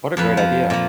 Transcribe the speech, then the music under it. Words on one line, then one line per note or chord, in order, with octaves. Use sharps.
What a great idea.
F2 F3 B4
F3
A#2 F3